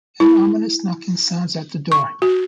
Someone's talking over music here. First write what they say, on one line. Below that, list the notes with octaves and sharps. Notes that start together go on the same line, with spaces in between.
An ominous knocking sounds at the door.
E4
C#6
F#4